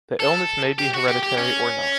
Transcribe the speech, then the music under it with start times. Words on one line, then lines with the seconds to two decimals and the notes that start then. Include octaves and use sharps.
The illness may be hereditary or not.
0.20 A4
0.79 G4
0.94 F#4
1.08 G4
1.23 G4
1.38 C#4